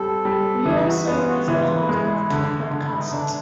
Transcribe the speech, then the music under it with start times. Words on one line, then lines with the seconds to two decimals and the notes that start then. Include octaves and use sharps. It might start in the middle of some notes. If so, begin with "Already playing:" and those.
Williamson is the host of two podcasts.
Already playing: G3 C4 A4
0.25 G3
0.66 E3 G#4
0.87 F#4
1.07 B3 G#4
1.17 F4
1.28 F#4
1.48 E3 F4
1.68 F4
1.75 E4
1.89 G#3
2.03 E4
2.30 D3
2.71 D3
2.86 E4
2.99 D#4
3.12 D3 D4